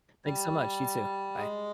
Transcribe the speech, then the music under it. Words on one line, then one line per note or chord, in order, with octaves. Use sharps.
Thanks so much. You too. Bye.
G3
G#3